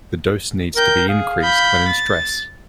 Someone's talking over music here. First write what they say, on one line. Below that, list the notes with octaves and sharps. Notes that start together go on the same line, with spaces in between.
The dose needs to be increased when in stress.
A#4 G5 G6
G#4 F5
B5 G6
A6